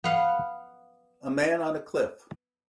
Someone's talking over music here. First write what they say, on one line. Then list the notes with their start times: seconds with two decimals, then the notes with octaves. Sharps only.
A man on a cliff.
0.04 B3 F5 F#5